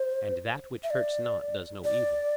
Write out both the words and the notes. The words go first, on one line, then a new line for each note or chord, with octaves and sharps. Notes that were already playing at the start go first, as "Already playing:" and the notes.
And that which hurts not does no evil?
Already playing: C5
E5
D5
D5